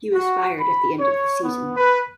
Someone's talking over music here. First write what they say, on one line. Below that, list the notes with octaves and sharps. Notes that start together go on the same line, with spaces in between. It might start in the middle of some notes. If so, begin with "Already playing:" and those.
He was fired at the end of the season.
F#4
B5
C#5
B3
B4